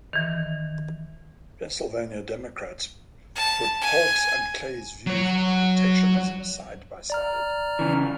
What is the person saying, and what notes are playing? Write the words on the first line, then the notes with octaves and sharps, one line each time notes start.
Pennsylvania Democrats put Polk's and Clay's views on protectionism side by side.
D#3 E3
A5
G#5
F#3 C#5
D5 A#5 F6
C#3 E3